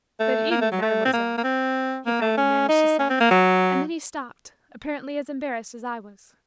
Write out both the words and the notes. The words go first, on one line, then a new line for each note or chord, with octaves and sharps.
"Good evening, mademoiselle," he finally managed to say, and then he stopped, apparently as embarrassed as I was.
A3
A#3
A3
F#3
A3
C4
A#3
A#3
C4
A#3
A3
C#4
D#4
C#4
C4
A#3
F#3